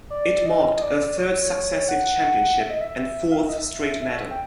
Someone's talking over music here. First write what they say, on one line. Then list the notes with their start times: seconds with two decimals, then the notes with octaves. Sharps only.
It marked her third successive championship and fourth straight medal.
0.10 D5
0.46 D#5
0.77 D#5
0.82 D5
1.17 C#5
1.53 C#5
1.89 F#5
2.60 E5
2.70 D#5
2.81 E5
3.32 F5
3.40 E5
3.49 D#5
3.58 E5
4.02 E5
4.31 G5